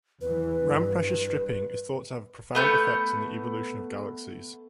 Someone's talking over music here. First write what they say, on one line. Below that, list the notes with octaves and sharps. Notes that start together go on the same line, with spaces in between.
Ram pressure stripping is thought to have profound effects on the evolution of galaxies.
E2 E3 B4
G2
A3 B3 G6